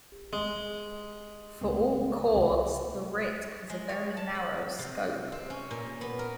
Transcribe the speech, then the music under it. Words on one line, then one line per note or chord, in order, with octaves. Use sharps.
For all courts, the writ has a very narrow scope.
G#3
C#2 A#3 C4
C2
G#3
C#5
A5
B5
C3
C4
C#4
A#2
B3
A#4